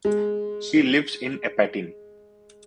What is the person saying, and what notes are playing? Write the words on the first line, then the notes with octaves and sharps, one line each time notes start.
She lives in Apatin.
G#3